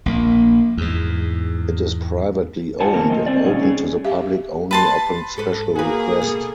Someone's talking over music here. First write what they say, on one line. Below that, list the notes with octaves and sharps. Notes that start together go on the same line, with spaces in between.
It is privately owned, and open to the public only upon special request.
A#1 A#3
E2 G#2
F2 F3 C5 F#5 G#5 A5
A2 D3 A#3 C4 A#4 A5
F2 A2 F3 D#5
C4 C5 D5
A#2 D3 G3 C#4 D#4
C#4 G#4
G4 E5 F5
B4 A5 C6
G#2 A4 B4
A#3 F#4 G#4 B4
B2 A4